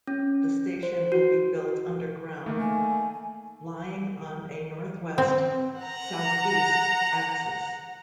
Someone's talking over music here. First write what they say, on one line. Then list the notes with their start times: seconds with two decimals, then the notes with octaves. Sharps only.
The station will be built underground, lying on a northwest-southeast axis.
0.07 C#4
0.83 C5
1.12 F#4
2.46 D#3 A3 A#3
2.60 G#5
5.18 C4
5.80 F#5 A#5